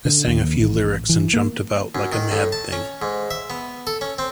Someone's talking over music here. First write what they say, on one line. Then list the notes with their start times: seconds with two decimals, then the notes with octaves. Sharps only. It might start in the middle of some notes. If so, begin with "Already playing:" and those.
I sang a few lyrics and jumped about like a mad thing.
0.05 D3
0.28 D#2
0.60 A1
1.09 E3
1.33 A#3
1.95 F#2
2.12 D#3
2.32 A2
2.52 A5
2.72 C#4
3.02 G#2
3.31 E5
3.50 B3
3.87 A4
4.01 C#4
4.18 C4